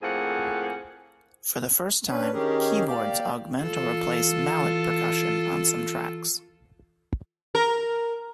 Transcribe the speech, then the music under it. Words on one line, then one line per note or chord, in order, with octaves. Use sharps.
For the first time, keyboards augment or replace mallet percussion on some tracks.
F2 A2 A#3 C4 G#4 F#5
C#4 D4 B4
D#3 C#4 G4 G#4 A#4
A#3 G4 D5
E3 F4 A4
A#4